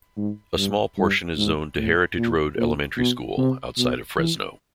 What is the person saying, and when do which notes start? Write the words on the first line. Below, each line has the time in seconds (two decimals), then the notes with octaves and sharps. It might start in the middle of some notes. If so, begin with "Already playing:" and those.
A small portion is zoned to Heritage Road Elementary School, outside of Fresno.
0.17 G#2
0.57 G2
0.97 G2
1.37 G#2
1.77 A2
2.17 A#2
2.58 A#2
2.97 B2
3.38 C3
3.78 B2
4.18 E3